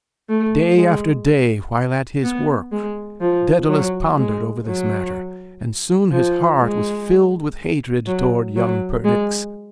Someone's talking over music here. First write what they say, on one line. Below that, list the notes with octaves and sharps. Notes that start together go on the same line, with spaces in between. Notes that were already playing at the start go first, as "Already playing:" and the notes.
Day after day, while at his work, Daedalus pondered over this matter, and soon his heart was filled with hatred towards young Perdix.
A3
G#3
B3
G#3
F3
F#3
G#3
F#3
F3
G#3
F#3
F#3
G#3